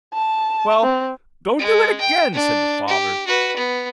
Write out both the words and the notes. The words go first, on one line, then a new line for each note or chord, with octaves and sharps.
"Well, don't do it again," said the father.
A5
C4
G#3
G5
D4
G4
F#4 B4
B3